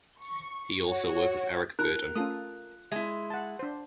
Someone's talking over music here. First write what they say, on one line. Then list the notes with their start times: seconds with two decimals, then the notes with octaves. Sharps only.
He also worked with Eric Burdon.
0.21 C#6
0.86 F#4 C#5
1.79 D#4 F4 A#4 F#6
2.15 A3 C#4 F4 A4 D#6
2.91 G#3 E4 E5
3.30 F#5 A5
3.59 D4 C5